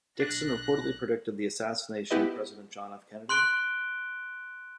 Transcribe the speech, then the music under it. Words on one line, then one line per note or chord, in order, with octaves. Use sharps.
Dixon reportedly predicted the assassination of President John F. Kennedy.
B1 D4 F#6 A#6
B3 E4 G4 B4 D#5
C6 F#6 D7 G7